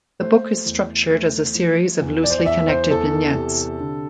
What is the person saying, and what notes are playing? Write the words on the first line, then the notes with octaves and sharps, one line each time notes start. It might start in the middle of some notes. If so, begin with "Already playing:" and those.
The book is structured as a series of loosely connected vignettes.
A3 C5
E2
A3
F3
E2
D5
C5
D5
E2 E5
C5
E2 A4
C3
D3